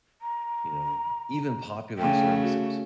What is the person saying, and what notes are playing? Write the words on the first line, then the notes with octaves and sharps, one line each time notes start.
you know, even popular services.
A#5
C#3 A3 G5
F#4